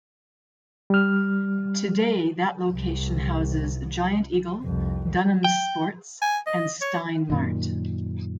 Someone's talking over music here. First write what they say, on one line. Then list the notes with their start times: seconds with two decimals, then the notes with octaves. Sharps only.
Today, that location houses Giant Eagle, Dunham's Sports, and Stein Mart.
0.90 G3 F6
2.71 C2
4.64 C2 F2
5.44 G5
6.22 G#5
6.46 D#5
6.81 C#5
7.30 F#2 A#2 D#3